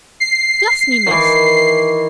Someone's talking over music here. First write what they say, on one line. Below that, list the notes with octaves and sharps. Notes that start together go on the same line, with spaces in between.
'Bless me, miss!
C7
D#3 E3